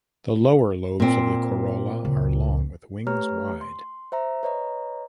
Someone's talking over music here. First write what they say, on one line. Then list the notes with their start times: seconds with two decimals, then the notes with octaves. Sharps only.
The lower lobes of the corolla are long with wings wide.
1.00 A#2 C4
2.05 C#2
3.07 A3 G4 B4 C#5 A#5 F6
3.61 C6
4.12 C5 E5 A#5
4.43 B4 C#5 D#5 A#5